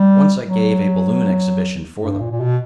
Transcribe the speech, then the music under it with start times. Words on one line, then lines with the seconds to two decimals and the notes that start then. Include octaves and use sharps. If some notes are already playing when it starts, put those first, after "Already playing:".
Once I gave a balloon exhibition for them.
Already playing: G3
0.44 F#3
2.01 G2
2.20 A#2
2.31 A#2
2.40 B2